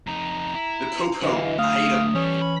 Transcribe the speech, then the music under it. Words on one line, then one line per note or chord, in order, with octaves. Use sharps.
The 'Po-Po,' I hate 'em.
F2 D#4 A#5
E4
D3 E3 F#3 D#5 F5
A3 F5 D#6
E3 G3 C#4 A4
B5